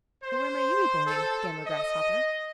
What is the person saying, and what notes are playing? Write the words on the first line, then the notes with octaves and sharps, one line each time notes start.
'And where may you be going, Gammer Grasshopper?'
C5
A4
D#5